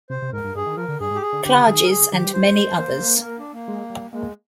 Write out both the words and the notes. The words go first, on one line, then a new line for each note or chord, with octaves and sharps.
Klages and many others.
C3 C5
C3
G#2 A#4
G2
G2 G#4
D#3
F3 A#4
D3
G2 G#4
G#2
G4
G#4
D3
D3 G4
D#3 G#4
A#4
D3 G#4
D#3 G4
G3
F3 C5
G3
A#3
A#4
D4
A#3
G#3
G3
G#3 A#3